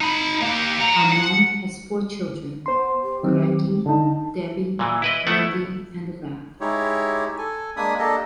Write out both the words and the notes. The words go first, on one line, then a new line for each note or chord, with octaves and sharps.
Armand has four children: Craigie, Debbie, Wendy, and Rab.
D#4 B5
A#3 G4
F#5 A#5
F#5
B3 C5 C6
G4
D#3 F#3 C4
D3 D#4 A5
A#2 E3
E4 B4 D#5
A3 B3 E4 E5 F#5
G#3 D#4 E4 G4 C#5
A4 G#5
G#3 A#3 D4 G#5 B5 D#6
A#3 D4 G4 A4 D#5